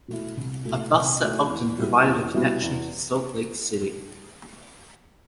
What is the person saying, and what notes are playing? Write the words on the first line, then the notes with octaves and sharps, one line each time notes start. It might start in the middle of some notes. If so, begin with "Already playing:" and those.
A bus at Ogden provided a connection to Salt Lake City.
B2 A3 E4
C2
B2 A3 E4
C2
B2 A3 E4
E2
B2 G3 B3 E4
E2
B2 G3 B3 E4
E2